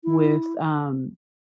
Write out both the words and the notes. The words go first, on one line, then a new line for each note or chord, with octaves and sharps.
with, um
E4